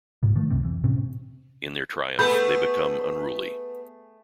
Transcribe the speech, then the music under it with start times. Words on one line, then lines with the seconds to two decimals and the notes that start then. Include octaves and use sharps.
In their triumph they become unruly.
0.23 D2 G#2 C#3
0.35 D#3 F3 A3
0.50 C2 F#2 C3 C4
0.65 F2 E3
0.84 A2 C3 C4 C#4
2.19 A3 B3 G#4 A4 B5 G6